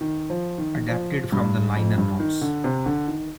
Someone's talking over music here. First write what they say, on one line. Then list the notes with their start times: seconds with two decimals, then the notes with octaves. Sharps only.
Adapted from the liner notes.
0.01 D#3
0.30 F3
0.58 D#3
0.89 F3
1.32 G2
1.77 F2
1.98 G2
2.20 D#3
2.42 D3
2.64 C3
2.86 D3
3.08 D#3